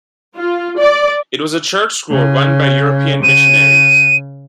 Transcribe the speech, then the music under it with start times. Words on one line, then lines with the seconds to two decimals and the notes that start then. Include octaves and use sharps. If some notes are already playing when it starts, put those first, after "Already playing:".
It was a church school run by European missionaries.
0.36 F4
0.78 D5
2.11 C#3
3.23 C#3 D#7